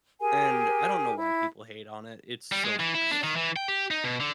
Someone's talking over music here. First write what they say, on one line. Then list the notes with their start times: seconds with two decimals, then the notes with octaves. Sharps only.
and I don't know why people hate on it, it's so funny.
0.21 G4 G#4 A#4 G#5
1.16 E4
2.52 G3
2.64 G#3
2.80 E3
2.95 E4
3.11 D4
3.23 D#3
3.36 E3
3.56 G5
3.68 G4
3.91 D#4
4.04 B2
4.20 D3